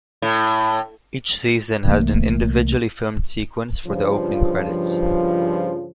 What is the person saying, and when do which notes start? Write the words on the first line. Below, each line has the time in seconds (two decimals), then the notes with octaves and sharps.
Each season had an individually filmed sequence for the opening credits.
0.22 A2
1.85 C2 E3 A3 A#3
3.86 G2 C#3 F3